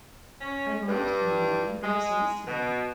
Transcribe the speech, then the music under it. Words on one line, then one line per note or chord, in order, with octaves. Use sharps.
I might, in the morning, be of service to them.
C#4
G2
G#3
B2